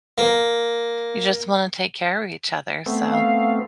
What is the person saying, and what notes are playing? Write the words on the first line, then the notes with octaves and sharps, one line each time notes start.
you just wanna take care of each other, so
A#3
A3 B3 C4
F5